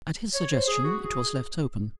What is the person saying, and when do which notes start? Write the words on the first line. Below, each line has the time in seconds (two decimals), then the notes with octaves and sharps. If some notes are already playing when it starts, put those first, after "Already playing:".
At his suggestion it was left open.
0.34 C#5
0.51 C5
0.68 G#4
0.84 F#4
1.01 G#4